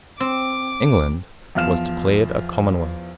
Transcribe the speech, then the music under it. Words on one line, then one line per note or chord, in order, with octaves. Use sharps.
England was declared a commonwealth.
C4 D6
E2 F3 F5 F6 E7